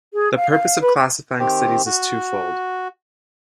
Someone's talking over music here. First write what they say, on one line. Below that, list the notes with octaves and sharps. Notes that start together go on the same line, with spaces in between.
The purpose of classifying cities is twofold.
G#4
F5
F5
B4
D#3 C4 G4
F#4